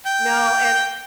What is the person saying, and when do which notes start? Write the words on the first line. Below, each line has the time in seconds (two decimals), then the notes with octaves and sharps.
No, and,
0.06 G5